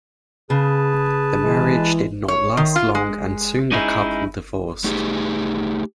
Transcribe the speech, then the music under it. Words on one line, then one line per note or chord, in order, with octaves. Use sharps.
The marriage did not last long and soon the couple divorced.
C#3 G#4 B4 A5
E3 G#3
C#5
D#3
F4
G#3
G#3 C#4 D#4 E4 G#4
A3 D#4 G4 G#4